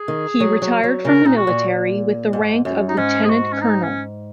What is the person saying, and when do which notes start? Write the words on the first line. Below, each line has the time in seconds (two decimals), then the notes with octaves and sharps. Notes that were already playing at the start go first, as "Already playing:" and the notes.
He retired from the military with the rank of lieutenant colonel.
Already playing: G#4
0.08 D#3
0.40 F#3
0.62 F#3
0.84 F#3
1.05 C#3 A#4
1.26 A#2 D#4
1.37 F#4
1.47 A#2
2.33 G#2
2.65 F#2
2.88 D#4
2.97 G#2 C#4
3.24 G#4
3.29 F#4
3.52 C#4
3.61 D#4
3.83 C#4